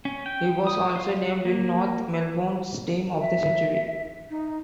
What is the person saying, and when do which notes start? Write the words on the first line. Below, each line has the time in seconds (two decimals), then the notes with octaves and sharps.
He was also named in North Melbourne's team of the century.
0.05 C#4
0.26 G5
0.67 D#6
0.96 F4
1.45 A#3
3.20 E5
4.30 D#4